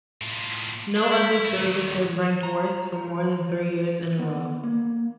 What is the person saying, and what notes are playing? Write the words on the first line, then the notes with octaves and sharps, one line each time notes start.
No other service has ranked worst for more than three years in a row.
A2 F4
D4
E4
E4 A4
A#2 D#3
A#5
B3
A#3